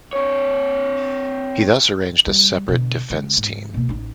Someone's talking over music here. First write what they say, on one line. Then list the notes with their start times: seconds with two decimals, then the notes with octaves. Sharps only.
He thus arranged a separate defence team.
0.13 C4 C#5
2.27 G3
2.68 B2 D3
3.10 C#3 G#3
3.37 G#2
3.74 B2 A#3
3.89 A1 D#4